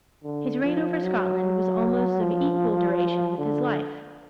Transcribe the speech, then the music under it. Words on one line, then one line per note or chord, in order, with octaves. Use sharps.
His reign over Scotland was almost of equal duration with his life.
D3
F3
F#3
F3
D3